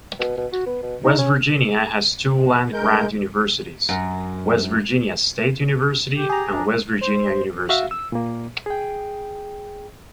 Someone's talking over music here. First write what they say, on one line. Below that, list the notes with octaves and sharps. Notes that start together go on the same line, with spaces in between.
West Virginia has two land-grant universities: West Virginia State University and West Virginia University.
B2
B2
F#4
B3
B2
D#4
C#4
G#3
G2 G#3 A#4 G6
F#2
G4
G#4 A#5
D4
C5
F#4 E5 F5
E6
A#2 A#3
G#4 G5